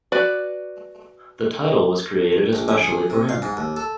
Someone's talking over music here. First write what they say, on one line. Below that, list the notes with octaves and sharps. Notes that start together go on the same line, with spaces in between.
The title was created especially for him.
F#4 B4 D5
A#1
C#4
G#4
C3
F5
G#2
D#2
A4